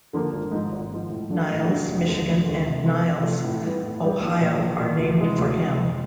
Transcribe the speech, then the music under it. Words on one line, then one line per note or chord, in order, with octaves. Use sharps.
Niles, Michigan and Niles, Ohio are named for him.
D3 F3 A#3
G#1
G#2 F3
G#1
G#2 F3
A2
F#3 A3 D4
A2
F#3 A3 D4
F1
D#2 D3 F3 G#3
F1
D#2 D3 F3 G#3
C3
F3 A3 C4 F4
C3
F3 A3 C4 F4
A2
E3 G3 B3
A2
E3 G3 B3
A#1
A#2 F3
A#1
A#2 F3
D2
C3 E3 G#3
D2
C3 E3 G#3
F2